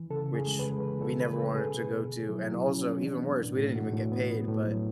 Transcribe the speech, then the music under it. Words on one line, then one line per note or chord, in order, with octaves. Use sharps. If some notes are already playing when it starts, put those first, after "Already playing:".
which we never wanted to go to, and also even worse, we didn't even get paid, but
Already playing: E3
C#3 A4
C#3
G#4
G#3
B4
G#3
E3 B4
C#3 A4
C#3 B4
C#3 A4
B2 G#4
B2
B3
B2
F#3 E4
F#3
F#3 C#4
B2
E3 D4
B3
A2
A2
A2 F#4
A2
B3
B3
A2
F#3